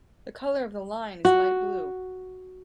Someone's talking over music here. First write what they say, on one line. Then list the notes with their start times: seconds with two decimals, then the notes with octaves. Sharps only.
The color of the line is light blue.
1.25 F#4